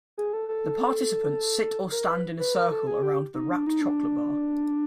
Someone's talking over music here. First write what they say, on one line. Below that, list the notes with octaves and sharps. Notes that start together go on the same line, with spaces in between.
The participants sit or stand in a circle around the wrapped chocolate bar.
G#4
A4
A4
A#4
B4
B4
A#4
A4
G#4
G4
D#4
D4
D#4
D4